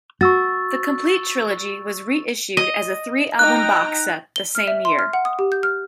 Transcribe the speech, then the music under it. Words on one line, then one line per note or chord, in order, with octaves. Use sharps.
The complete trilogy was reissued as a three album box set the same year.
F#4 C#6 E6 A6
D#5
D#4 G5 A#5 F#6
G7
F6
E5
C6
F6
F#5
D#6
G4
G6
F6